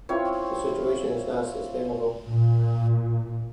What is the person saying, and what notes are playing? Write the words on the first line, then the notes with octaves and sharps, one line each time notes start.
The situation is not sustainable.
C4 E4 F4 C#5
A#2